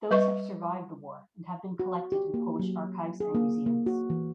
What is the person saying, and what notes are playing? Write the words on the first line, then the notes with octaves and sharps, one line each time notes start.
Those have survived the war and have been collected in Polish archives and museums.
G3 B4 D#5 C#6
F#4
G4
A#3
F#3
G#4
A#3
A#3
F#4
E3